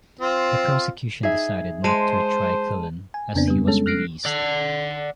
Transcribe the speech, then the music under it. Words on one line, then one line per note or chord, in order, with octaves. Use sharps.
The prosecution decided not to retry Killen and he was released.
C4 F4
D#4 G#4 E5
G#3 C5 A5 D#7 E7
G#5
F2 C#3 B3 C4 D4
G3 B3
G#3 C#4 A4
F6 F#6 A#6 C7 D7
D5 F#5